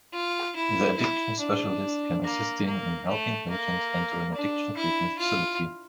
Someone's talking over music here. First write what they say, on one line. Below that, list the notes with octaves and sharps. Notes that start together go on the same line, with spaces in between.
The addiction specialist can assisting in helping patients enter an addiction treatment facility.
F4
E4
E4
D4
A#3
A#3
A3
A#3
D4
E4
F4